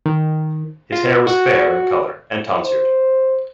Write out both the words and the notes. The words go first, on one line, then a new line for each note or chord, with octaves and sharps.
His hair was fair in color and tonsured.
D#3
F4
F#4
C5